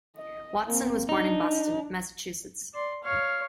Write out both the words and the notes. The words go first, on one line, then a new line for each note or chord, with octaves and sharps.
Watson was born in Boston, Massachusetts.
D#5
A#3 C4
D4 D#4
D5 C6
C#5 F5